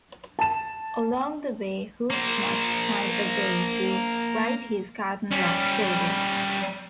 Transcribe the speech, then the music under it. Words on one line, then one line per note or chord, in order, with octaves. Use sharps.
Along the way, Hoops must find a way to write his cartoon love story.
A5 E7
A#3 C5
G3 C#4